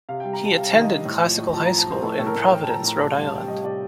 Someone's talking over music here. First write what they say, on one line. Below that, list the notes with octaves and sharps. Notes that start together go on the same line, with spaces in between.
He attended Classical High School in Providence, Rhode Island.
C3 F5
G3 G5
A#5
C3 A5
G3 F5
D#3 F5
D#5
G3
A2
F3
A2
F3 A5
F3 A#5
A5
F3 C5
A2 A4
A2 A4
A#4
A2
A2 G5
A5
F3 A#5
A5
A2 A#5
C3 A5
G3 F5
A5
C3 G5
G3 D#5
C3 D5